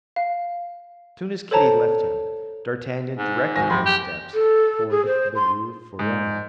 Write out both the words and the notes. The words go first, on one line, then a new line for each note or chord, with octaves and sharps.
Soon as Kitty left him, d'Artagnan directed his steps toward the Rue Ferou.
F5
A4 C5 C#5 A5 A#5
G#2
G#1 G#5 A#6
F#1 C3 B5 C6
G4
A4
G#4
C5
C6
G#2